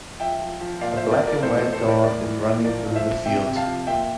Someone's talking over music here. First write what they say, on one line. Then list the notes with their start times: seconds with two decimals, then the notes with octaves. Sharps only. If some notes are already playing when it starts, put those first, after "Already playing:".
A black and white dog is running through the field.
0.20 F3 E5 G5
0.41 F3
0.61 F3
0.81 A#2 D5 F5
0.97 C5 E5
1.02 F3
1.11 A#4 D5
1.22 F3
1.27 A#4 D5
1.42 A2 A4 C5
1.58 A4 C5
1.63 E3
1.73 A4 C5
1.84 E3 A#4 D5
2.03 A2 A#4 D5
2.24 E3
2.45 E3
2.64 F3 A#4 D5
2.85 F3
2.95 C5 E5
3.05 F3
3.26 C3 E5 G5
3.46 C3
3.56 F5 A5
3.66 F3
3.87 A#2 E5 G5